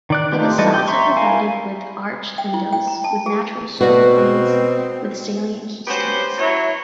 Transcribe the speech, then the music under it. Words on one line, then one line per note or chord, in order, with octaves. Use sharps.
The facades are provided with arched windows with natural stone frames with salient keystones.
D#3 D5 F#6
A3 D#4 F4 G4
E3 G3 A3 A4 D#5
G4 G5
E5 A#5 C6 C#6
E4 A#4 F5 G#5
G5
E4
G5
A#5
A5
G#4
B2 C4 F#4 B4 D5
B3 C#4 F#4 G4 C5
F#3 E4 C#5